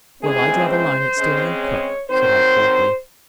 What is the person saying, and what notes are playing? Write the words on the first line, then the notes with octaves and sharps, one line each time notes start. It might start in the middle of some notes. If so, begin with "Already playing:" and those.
"Well, I draw the line at stealing a cook," said I, coldly.
C#3 E3 G#3 C4 G#4
C5
C#3 G#3 C4
C#5
D#3 F#3 C4 C5